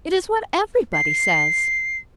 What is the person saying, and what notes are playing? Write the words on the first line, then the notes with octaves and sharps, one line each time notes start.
It is what everybody says.
C7